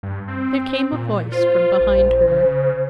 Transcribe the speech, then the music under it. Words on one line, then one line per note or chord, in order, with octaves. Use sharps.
There came a voice from behind her.
G2
C4
A#2
F4 C5
A#1
C#3